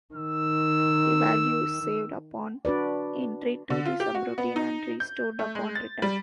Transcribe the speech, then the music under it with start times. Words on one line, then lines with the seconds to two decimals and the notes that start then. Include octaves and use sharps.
The value is saved upon entry to the subroutine and restored upon return.
0.15 D#3 E6
2.65 D4 F#4 B4 D5
3.70 D3
3.85 F4
4.00 G4
4.15 F#4
4.38 B3
4.56 D#4
5.00 G6
5.39 A3
5.55 G#3
5.75 A6
6.02 G3